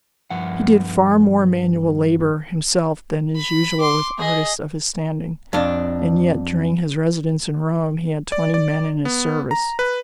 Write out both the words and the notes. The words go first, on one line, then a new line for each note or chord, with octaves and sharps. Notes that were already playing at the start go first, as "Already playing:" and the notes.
He did far more manual labor himself than is usual with artists of his standing, and yet, during his residence in Rome he had twenty men in his service.
G2 F3 F#5
B5
C6 D6
G#4 D#5
F2 D4
D5
D5
B3
A#5
B4